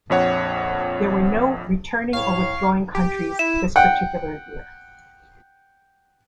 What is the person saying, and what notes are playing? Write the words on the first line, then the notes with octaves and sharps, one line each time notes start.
There were no returning or withdrawing countries this particular year.
A#1 F2 C#5 F#5
A2 C#5 F5 C#6
G4
E4 E7
F#5 G5